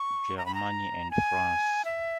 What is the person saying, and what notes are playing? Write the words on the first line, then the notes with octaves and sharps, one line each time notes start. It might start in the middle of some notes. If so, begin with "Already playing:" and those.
Germany and France.
Already playing: C#6
A#5
B5
A#5
G#5
E5